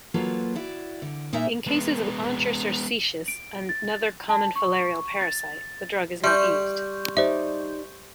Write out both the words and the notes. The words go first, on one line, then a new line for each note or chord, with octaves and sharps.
In cases of onchocerciasis, another common filarial parasite, the drug is not used.
F#3 A#3 F4 A4 B4
E4 F#4 D5
D3
A#2 D#4 E4 A#4 E5
G#3 B3
D7
A6
A5
C#6
A6
G3 E5 C6 C#6 G6
D#4 G4 C5 D5 E5